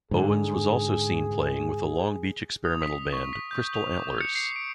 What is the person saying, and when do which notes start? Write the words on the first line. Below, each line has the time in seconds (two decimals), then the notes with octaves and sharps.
Owens was also seen playing with the Long Beach experimental band Crystal Antlers.
0.11 G#2 D3 G#4
2.65 D#6
2.82 B6
3.13 C#6
3.33 B6
3.51 G6
3.75 F7
3.97 D6
4.21 C#7
4.35 C7
4.56 D7